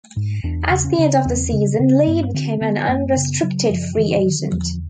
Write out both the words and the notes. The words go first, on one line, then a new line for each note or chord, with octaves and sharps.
At the end of the season, Lee became an unrestricted free agent.
G#2
E2 D4
C#3
C#4
C#3
E2 C4
C#3
C#3
G2 B3
D3 C4
D3 B3
F#2 A#3
C#3 B3
C#3 F#3
F#2 F3
D3 E3
D3 D#3
E2 F3